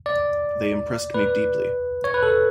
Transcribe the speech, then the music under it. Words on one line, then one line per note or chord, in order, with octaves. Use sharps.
They impressed me deeply.
D5
B4
C#5
B4
A4